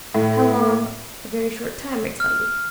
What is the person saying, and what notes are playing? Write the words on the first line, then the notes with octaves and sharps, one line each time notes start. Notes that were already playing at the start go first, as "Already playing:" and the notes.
'How long--a very short time, I tell you.
A2
F6